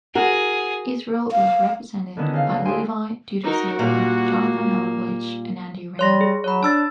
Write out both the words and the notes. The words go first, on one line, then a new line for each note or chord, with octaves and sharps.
Israel was represented by Levy, Dudi Sela, Jonathan Erlich, and Andy Ram.
F#4 G#4 A#4
F5
D3 D#3 B3 C#4 E4
C#3 F5
D2 A3
E4 G4 G#4 G5 G#5 C6
D#4 F#4 A#4
A#2 G3 A#3
G3 C#5 C6 A#6
G#4
F#3 C#5 B5
D4 A5 E6 A6